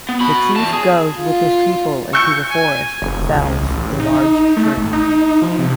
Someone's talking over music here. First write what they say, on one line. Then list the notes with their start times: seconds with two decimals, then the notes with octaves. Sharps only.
The chief goes with his people into the forest and fells a large tree.
0.09 B3
0.20 F#4 B5
0.56 E2 A5
0.73 G#4
1.18 F4
2.13 C#6 E6 G6 C#7
2.50 G#5
3.02 F#1
3.17 D#1
3.35 C#2
3.62 A1
4.00 D#4
4.25 D#4
4.57 A3
4.77 G#1
4.93 D#4
5.42 F3
5.59 C3